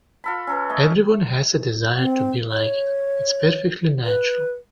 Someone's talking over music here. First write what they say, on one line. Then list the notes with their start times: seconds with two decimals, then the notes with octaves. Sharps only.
Everyone has a desire to be liked, it's perfectly natural.
0.24 F4 A4 B5
0.47 C#4 A4 B4
0.69 A3 C#5 D#5
1.98 C4
2.51 C#5
4.06 B4